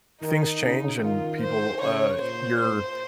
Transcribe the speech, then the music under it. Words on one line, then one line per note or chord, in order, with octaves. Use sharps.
things change and people uh, your
D#3 D#4
C#3
D#3 F4
C5
C#3 C#5
A#2 C5
C5